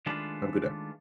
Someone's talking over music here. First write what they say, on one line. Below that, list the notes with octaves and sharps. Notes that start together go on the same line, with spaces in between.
Have a good day.
D#3 G#3 A3 D4 F4 B4